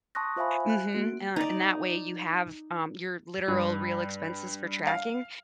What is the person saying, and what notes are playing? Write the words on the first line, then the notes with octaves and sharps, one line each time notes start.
Mhm, uh, and that way, you have, um, your literal real expenses for tracking.
A5 C6 C#6 D#6 F#6 A#6
F4 C5 E5 F5 G#5 B5
F#6
A#3 F#4 D7
D#4 D5
G2
F5